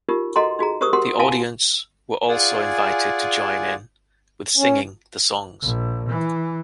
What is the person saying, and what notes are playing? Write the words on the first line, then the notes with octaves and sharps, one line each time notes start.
The audience were also invited to join in with singing the songs.
D#4 F4 G4 A#4
F#4 A4 D#5 F#5 A#5 C6
D#4 F#4 G#4 A#5
G4 A#4 C5 C#6 D#6 E6
F#4 G4 A#4 F#5 C6
E4 F#4 F5 F#5 G#5 A5
F4 G#4 D5 F#5 G#5
C#4
A#1
E3